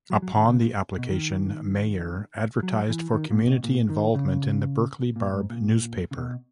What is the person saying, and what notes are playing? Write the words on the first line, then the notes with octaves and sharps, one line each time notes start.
Upon the application, Meyer advertised for community involvement in the Berkeley Barb newspaper.
F#3
F#3
D#3
C#3
A#2
B2
D#3
F#3
E3
D#3
A#2
B2
A#2
D#3
C#3
A#2
G#2
A#2
C#3
B2